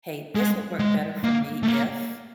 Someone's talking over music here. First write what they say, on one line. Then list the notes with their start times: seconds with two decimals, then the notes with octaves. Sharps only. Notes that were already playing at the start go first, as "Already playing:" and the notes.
"Hey, this would work better for me if"
0.35 G#3
0.79 G#3
1.24 A#3
1.63 A3
1.68 A#3